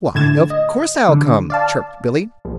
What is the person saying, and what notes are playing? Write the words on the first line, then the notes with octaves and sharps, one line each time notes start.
"Why, of course I'll come," chirped Billy.
A2 D3 G#6 A6 E7
D#5
D3
D5 F5 A5
A#1